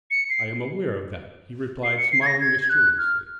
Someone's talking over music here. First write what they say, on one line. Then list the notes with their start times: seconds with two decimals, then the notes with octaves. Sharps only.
"I'm aware of that," he replied, smiling mysteriously.
0.11 C#7
0.30 C7
1.83 C7
1.97 C#7
2.12 C7
2.22 G#6
2.26 A#6
2.40 G#6
2.62 G#6
2.69 F#6
2.98 F6